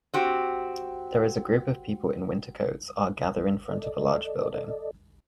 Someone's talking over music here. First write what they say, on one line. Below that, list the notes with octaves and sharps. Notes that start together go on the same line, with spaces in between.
There is a group of people in winter coats are gather in front of a large building.
C4 F#4 G4
A4 D5 D#5